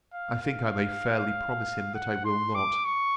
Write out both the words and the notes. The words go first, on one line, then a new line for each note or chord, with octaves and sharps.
I think I may fairly promise him that I will not.
F5
F5
F#5
C6
D6
C#6